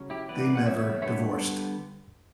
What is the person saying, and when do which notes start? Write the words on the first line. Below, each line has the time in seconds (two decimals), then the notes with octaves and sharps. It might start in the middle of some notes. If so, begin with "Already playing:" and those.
They never divorced.
Already playing: C#3 F#3 C#4
0.10 E4 G4
0.28 E3 B3 B4 D5
0.55 F#5
0.66 C#5 E5
1.02 D3 G3 B3 C#5 E5